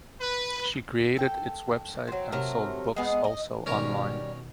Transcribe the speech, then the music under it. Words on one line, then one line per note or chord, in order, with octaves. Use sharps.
She created its website and sold books also online.
B4
A4 G5
F#3 C4
C3 F#3 A3 A#4
G#3 B3 G#4
D#5
B2 D#3 G3 C#4 A#4 C#5